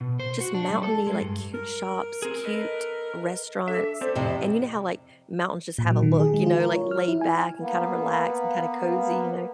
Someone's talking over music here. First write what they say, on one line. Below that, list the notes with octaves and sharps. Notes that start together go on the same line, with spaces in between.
just mountainy, like, cute shops, cute restaurants, and you know how, like, mountains just have a look, you know, like laid back, and kind of relaxed, and kind of cozy, you know
B2
C5
F#4
D4
G3
A4
G#3
G2
A#4
C4 G#4 A#4
A4 B4 D#5
D4 A4 E5
C4 A4 C5 D5
F2 C3 C4 E4
A#2
F#3
D#3
G#4
G#3
F4
A#4
C#5
F6
E4
G#5
A#3 B3